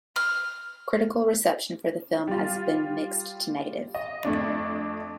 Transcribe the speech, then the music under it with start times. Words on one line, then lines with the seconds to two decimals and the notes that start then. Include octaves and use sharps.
Critical reception for the film has been mixed to negative.
0.16 F6
2.27 G3 F4
3.95 D#5
4.25 F2 A3 D4